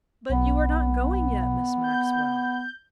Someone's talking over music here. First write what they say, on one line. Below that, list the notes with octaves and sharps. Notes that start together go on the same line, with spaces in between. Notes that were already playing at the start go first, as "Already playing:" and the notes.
But you are not going yet, Miss Maxwell?
B1 B3
G6